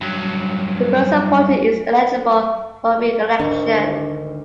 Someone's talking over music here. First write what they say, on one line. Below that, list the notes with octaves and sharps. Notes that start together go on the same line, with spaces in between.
The person appointed is eligible for re-election.
G2 F#3
G#1 D2 D4 A#4 D5 D#5 C#6